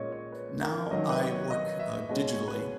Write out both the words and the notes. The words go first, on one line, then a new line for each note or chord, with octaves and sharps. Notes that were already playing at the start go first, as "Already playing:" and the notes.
now I work, uh, digitally
Already playing: A#2 G#3 C#4 C#5 D#5
C#5
B4
A#4
D#3 F#3 C#4 D#5
B4
C#5
D#5
E5
B2 G#3 C#4 D#5
C#5
B4